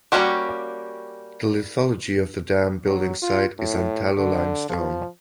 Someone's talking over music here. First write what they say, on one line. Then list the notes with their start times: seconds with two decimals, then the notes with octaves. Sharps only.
The lithology of the dam building site is Antalo Limestone.
0.12 G3 A#3 C#4 F#4 G4
2.86 F#3
3.22 F4
3.59 A2
4.17 D3
4.69 F3